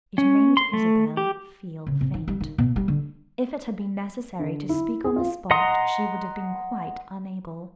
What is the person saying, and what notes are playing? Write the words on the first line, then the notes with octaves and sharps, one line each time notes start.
It made Isabel feel faint; if it had been necessary to speak on the spot she would have been quite unable.
C#4
C6
A3
G4
C#3
C3
D#3
G3
D#3
B2
G3
D3
D3
E4
G#4
F4
D#5 F#5 A#5 C6 D#6